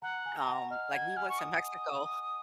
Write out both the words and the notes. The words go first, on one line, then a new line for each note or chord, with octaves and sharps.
um, like, we went to Mexico.
F#5 A#5
G#5
A#5
F#5
D#5 F6
F#5 G#6
G#5 F6
C#6
D#6